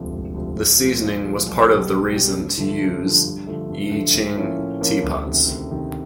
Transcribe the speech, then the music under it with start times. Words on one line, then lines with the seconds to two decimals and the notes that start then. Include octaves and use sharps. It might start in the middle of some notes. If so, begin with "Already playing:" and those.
This seasoning was part of the reason to use Yixing teapots.
Already playing: E1 D2 C3 F3
0.12 E1
0.34 D2 C3 F3
0.57 A#2
0.79 F3 G#3
1.01 A#2
1.24 F3 G#3
1.46 B1
1.68 B2 G3
1.90 B1
2.13 B2 G3
2.35 G2
2.58 D3 F3 A3
2.80 G2
3.02 D3 F3 A3
3.24 G2
3.47 D3 F3 A3
3.69 G2
3.91 D3 F3 A3
4.14 A2
4.35 F3 A#3 C#4 E4
4.58 A2
4.81 F3 A#3 C#4 E4
5.03 D2
5.25 C3 D#3
5.48 D2
5.70 C3 D#3